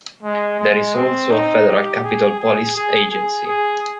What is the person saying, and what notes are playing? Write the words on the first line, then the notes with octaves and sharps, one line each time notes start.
There is also a federal capitol police agency.
G#3
G#3
C4
D#4
G4
G#4
G#4
G#4
G#4
G#4